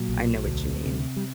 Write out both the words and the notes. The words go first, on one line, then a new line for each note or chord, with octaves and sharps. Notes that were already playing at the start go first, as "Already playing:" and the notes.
I know what you mean.
Already playing: A#2 F#3
B1
D2
C3
G3